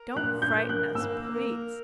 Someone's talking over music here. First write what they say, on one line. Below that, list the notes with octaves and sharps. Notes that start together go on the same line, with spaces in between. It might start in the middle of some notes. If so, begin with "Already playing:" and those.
Don't frighten us, please.
Already playing: A#4
A#2 F#6
G6
A#4
F#6
A#3 E6
A#4